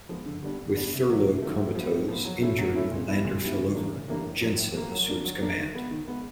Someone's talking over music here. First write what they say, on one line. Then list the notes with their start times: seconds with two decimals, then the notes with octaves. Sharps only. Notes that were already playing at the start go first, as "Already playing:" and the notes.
With Thurlow comatose, injured when the lander fell over, Jensen assumes command.
0.09 F3 G#3 B3
0.26 D3
0.42 G3 B3 D4
0.59 D3
0.76 G3 B3 D4
0.93 C3
1.09 D#3 F#3 A3
1.25 C3
1.42 D#3 F#3 A3
1.58 A2
1.75 F3 G#3 B3
1.92 A2
2.08 F3 G#3 B3
2.25 F#3
2.42 A3 C#4 E4
2.59 F#3
2.75 A3 C#4 E4
2.91 A#2
3.08 G3 B3 E4
3.25 A#2
3.42 G3 B3 E4
3.58 C#3
3.74 E3 G3 A#3 D4
3.91 C#3
4.08 E3 G3 A#3 D4
4.25 A2
4.41 F3 A#3
4.57 A2
4.75 F3 A#3
4.92 F#3
5.08 A#3 D4
5.24 F#3
5.41 A#3 D4
5.58 D#3
5.75 G#3 B3
5.91 D#3
6.08 G#3 B3